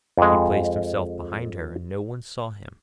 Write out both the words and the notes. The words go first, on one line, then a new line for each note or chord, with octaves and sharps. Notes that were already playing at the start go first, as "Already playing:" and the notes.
He placed himself behind her, and no one saw him.
F2 G#3